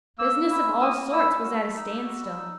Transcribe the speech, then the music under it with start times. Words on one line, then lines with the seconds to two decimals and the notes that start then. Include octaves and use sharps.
Business of all sorts was at a standstill.
0.18 A#3 E6
0.34 A#3
0.49 E4
0.66 C#4
0.81 A#3 D#6
0.97 A#3
1.12 E4 E6
1.28 C#4
1.43 F#4
1.58 G3
1.75 D#4
1.89 A#3
2.05 F#4
2.20 G3
2.37 D#4